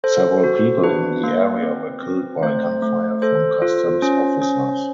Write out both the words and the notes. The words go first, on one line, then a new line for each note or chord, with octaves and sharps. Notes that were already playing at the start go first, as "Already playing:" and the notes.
Several people in the area were killed by gunfire from customs officers.
A4 C5
F#4
D4 B4
A#3
C4
C4
A3 C5
A3
A4 C5
F4
C#4
C#4